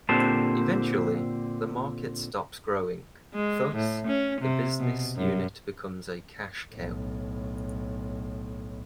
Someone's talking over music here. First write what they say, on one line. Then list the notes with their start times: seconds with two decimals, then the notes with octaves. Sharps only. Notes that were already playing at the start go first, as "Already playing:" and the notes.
Eventually, the market stops growing; thus, the business unit becomes a "cash cow".
0.09 A#2 D3 C4 G4 C5 A5
3.34 G#3
3.75 A2
4.07 C#4
4.41 C3
4.79 B2
5.16 F#2
6.72 B1 A2